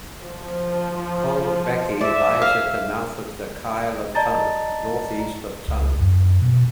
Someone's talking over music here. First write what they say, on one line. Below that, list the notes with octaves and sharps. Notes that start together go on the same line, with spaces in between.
Coldbackie lies at the mouth of the Kyle of Tongue, north east of Tongue.
F3
D5 E5
F5
D5 D#5 A5 A#5 A6
C#2
F#2
B2